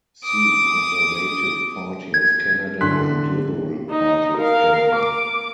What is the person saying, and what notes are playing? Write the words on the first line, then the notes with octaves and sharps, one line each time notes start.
See Conservative Party of Canada and Liberal Party of Canada.
D6 D#6
G#6
A2 D3 C6 F#6 B6
D#4
A#4 F5
D6